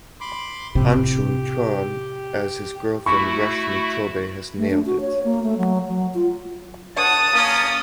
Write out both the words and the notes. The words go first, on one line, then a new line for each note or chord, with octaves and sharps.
Anshul Chauhan as his girlfriend Rashmi Chaubey has nailed it.
B5 C6 D6
A2 C3 F4 G4
A3 E4 F#4 B5 C#6
A3
D4
F#4
C#5
A#3
A3
F#3
F#3
F4
C#5 F#5 A5 D#6 A6
A#3 C#4